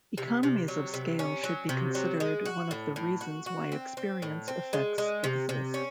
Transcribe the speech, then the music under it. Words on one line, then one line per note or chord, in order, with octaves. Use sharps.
Economies of scale should be considered one of the reasons why experience effects exist.
C3
C3
F#3
C3
C#4
F#3
C3
F#3
G#3
F#4
A2
A2
F#4
F#4
C4
C4
A2
C4
G#3
G#3
C3
C3
C#4